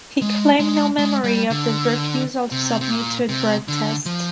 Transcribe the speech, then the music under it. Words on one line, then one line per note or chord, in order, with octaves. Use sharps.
He claimed no memory of the refusal to submit to a drug test.
G#3
G#3
G#3
G3
D3
C3
C3
A#2
C3
D3
F3